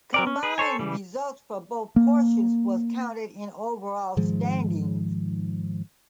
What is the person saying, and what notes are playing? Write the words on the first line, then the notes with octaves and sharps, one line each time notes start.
Combined result for both portions was counted in overall standings.
F#3 A#4 D5
C#4
G#4 B4
A4 C5 C#5 G#5
C#3 E3 G3
A#3
G#2 D#3 F3 G#3